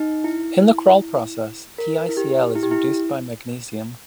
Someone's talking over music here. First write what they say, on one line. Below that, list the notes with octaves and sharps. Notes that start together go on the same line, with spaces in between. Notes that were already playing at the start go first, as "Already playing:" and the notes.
In the Kroll Process, TiCl is reduced by magnesium.
Already playing: D#4
E4
A#4
E4
G4
E4
G4
E4